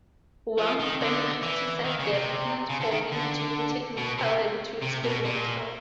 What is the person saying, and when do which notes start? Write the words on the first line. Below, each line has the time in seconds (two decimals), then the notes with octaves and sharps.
Wang Feng criticized their performance for being too technical and too experimental.
0.58 F3
0.79 D#3
1.01 D3
1.43 E3
1.85 D#3
2.00 C#3
2.13 C3
2.70 C#3
2.81 D3
2.91 D#3
3.12 D3
3.97 B2
4.18 C3
4.82 C3
5.03 B2
5.24 A#2